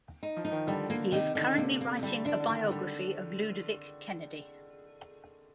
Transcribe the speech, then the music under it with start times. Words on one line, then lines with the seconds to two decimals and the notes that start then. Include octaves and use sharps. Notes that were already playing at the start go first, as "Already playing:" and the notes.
He is currently writing a biography of Ludovic Kennedy.
0.23 D#4
0.37 F3
0.45 D#4
0.52 D#3
0.67 D3 G3
0.90 A#3
1.12 C3 D#3
1.35 D3 D#3
1.58 C3 A#3
1.81 A#3
1.99 C3
2.03 D3 G3
2.26 D3 D4
2.40 D3
2.48 D#3 D4
2.63 D3
2.71 G3